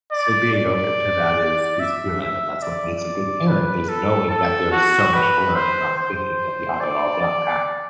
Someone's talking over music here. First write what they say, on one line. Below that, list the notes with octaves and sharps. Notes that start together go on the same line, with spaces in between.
So being open to that is is good, and that's what makes a good parent is knowing that there's so much to learn and not thinking that you have it all down pat.
D5
D5
E5
E5
D5
B4
A4
A4
F#4
B4
C5
C5
D5
D5